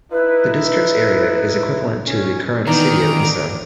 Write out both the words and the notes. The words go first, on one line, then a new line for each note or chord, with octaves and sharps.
The district's area is equivalent to the current city of Isa.
D#4 E4 B4
B4
C#4
D#3 E3 B3 D4 D#4 A#5